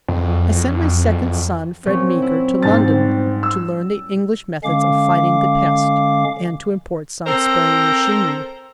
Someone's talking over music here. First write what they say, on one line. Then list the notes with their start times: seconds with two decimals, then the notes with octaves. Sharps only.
I sent my second son, Fred Meeker, to London to learn the English methods of fighting the pest and to import some spraying machinery.
0.08 F2
1.85 A#2 F#3 C4 C#4
2.22 E4
2.63 G#2 G3 A6
3.43 E6
4.64 D3 G#3 C#4 F5 D6
7.27 C4 A4 A#4 C5